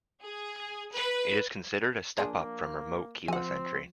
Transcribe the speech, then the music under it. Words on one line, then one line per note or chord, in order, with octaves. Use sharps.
It is considered a step up from remote keyless entry.
G#4
B4
F3 A#3 D4 G#4
F3 C4 F#5 G#5